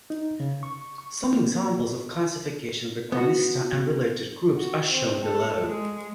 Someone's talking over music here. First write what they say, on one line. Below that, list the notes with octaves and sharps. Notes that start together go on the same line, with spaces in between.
Some examples of classification of the Chromista and related groups are shown below.
D#4
C#3
C#6
C#6
A#3
B3 F#4
F#4
C4
A4
G#3